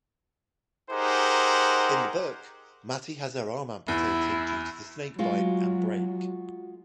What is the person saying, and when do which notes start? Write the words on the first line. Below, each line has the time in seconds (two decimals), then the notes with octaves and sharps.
In the book, Mattie has her arm amputated due to the snakebite and break.
0.91 D#4 G4 G#4 A#4 C5 F#5
3.88 E2 E4
5.18 F#3 G#3 F4 F#4